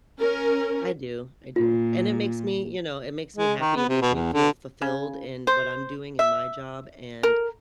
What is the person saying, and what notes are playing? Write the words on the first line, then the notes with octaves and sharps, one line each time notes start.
I do, I do. And it makes me, you know, it makes me happy, it makes me feel fulfilled in what I'm doing in my job and,
C#4 A#4
A#2 F4
G#3
D#3
B3
C3
B2
E2
D3
C#3
C5
E5
A#4